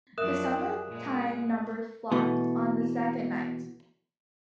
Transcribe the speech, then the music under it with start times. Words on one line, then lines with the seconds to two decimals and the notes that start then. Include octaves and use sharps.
The summertime number flopped on the second night.
0.18 F#2 F3 A#4 D5 E5 D#6 F#6 E7
0.87 A#2 G#3
2.12 B2 E3 A3